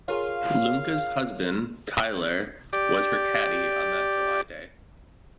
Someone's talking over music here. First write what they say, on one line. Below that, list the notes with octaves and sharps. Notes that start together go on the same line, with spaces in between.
Lunke's husband, Tylar, was her caddie on that July day.
F4 G#4 A#4 C#5 F5
G4 D5